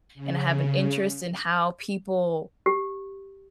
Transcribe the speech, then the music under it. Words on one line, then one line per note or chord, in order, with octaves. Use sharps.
and I have an interest in how people
C#3
G4